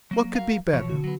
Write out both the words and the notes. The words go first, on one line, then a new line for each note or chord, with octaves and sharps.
What could be better?
F#3 A#3
F#4 A#4 F5
B1 B2 E3 F3 C#5
D3 F#4
F#3 B3